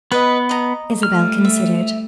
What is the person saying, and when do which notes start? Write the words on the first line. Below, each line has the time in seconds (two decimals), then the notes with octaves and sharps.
Isabel considered.
0.12 B3 B4 D#5
0.49 D#5 A#5
1.03 G3 A3 F6
1.45 E5